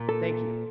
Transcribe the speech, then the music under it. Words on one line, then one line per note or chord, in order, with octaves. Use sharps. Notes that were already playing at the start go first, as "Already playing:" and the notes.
"Thank you."
Already playing: A#2
A4